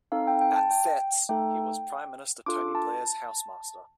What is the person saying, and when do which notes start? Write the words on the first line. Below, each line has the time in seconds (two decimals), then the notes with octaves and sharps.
At Fettes, he was Prime Minister Tony Blair's housemaster.
0.12 C4 D#4 A4 F5
0.27 G5
0.41 G5
0.56 A5
0.71 G5
1.29 A3 D#4 A4 G5
2.46 D4 F4 A4 D6
2.75 A5